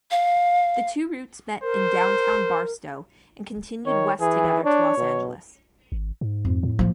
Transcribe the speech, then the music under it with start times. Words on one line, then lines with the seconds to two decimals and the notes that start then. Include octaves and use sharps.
The two routes met in downtown Barstow and continued west together to Los Angeles.
0.11 F5
1.63 A#4 C5
3.86 D#3 C#5
4.20 E3 G#4
4.64 D4 C#5
4.98 B2
5.92 G#1
6.21 G#2
6.45 F2
6.63 A2
6.79 F3 A#3